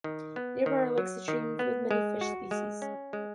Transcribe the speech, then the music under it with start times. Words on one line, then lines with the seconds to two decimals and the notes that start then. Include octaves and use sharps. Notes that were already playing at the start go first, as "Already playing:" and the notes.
Nearby are lakes and streams with many fish species.
0.04 D#3
0.36 B3
0.66 D#3
0.98 F#3
1.28 D#3
1.59 B3
1.91 G#3
2.21 F#4
2.51 G#3
2.82 C#4
3.13 G#3